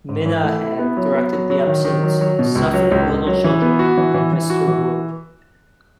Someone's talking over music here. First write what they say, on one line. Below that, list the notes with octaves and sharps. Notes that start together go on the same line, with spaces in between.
Minahan directed the episodes "Suffer the Little Children" and "Mister Wu".
G#2
E3
A3
E4
B3
F#3
B3
F#3
F#3
D#3
D#3
F#3
F#3
B2
C#2
F#3
C#2
C#2
F#3
E3
B3
F#4
E3
E3
E3
F#4
E3